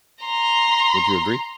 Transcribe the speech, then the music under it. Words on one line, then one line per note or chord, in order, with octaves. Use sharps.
Would you agree?
A#5 C6